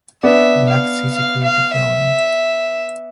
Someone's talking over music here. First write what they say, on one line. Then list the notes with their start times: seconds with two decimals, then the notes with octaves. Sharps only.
Black Sea Security Program.
0.23 B3 D4 E5
0.69 F5
1.14 F5
1.43 F5
1.74 E5